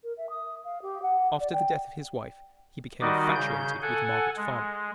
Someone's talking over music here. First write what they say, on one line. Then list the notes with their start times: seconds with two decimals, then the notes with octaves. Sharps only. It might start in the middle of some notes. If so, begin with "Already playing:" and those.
After the death of his wife he became infatuated with Margaret Farmer.
0.03 A#4
0.17 E5
0.29 D#6
0.64 F5
0.82 G4
1.02 F#5
1.40 D5
1.53 G5
3.01 D#3 G3 D#4 F#4 D5 D#5
3.35 C#3 G6
3.82 A4 F#5 G#5
4.37 G#3